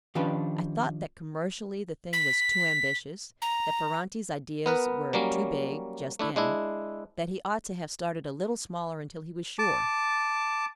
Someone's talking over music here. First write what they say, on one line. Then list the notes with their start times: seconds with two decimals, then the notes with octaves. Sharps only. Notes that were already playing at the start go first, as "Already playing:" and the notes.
I thought that commercially the thing was too ambitious, that Ferranti's ideas were too big, just then; that he ought to have started a little smaller until he was sure.
0.15 D#3 F3 C#4 D4 G4 B4
2.13 B6
3.42 A#5
4.66 B3 A#4 B4
5.13 F#3 G3 A#3 C#4
6.19 A3 D4 E4
6.36 G#3 D4 E4
9.59 A5 D6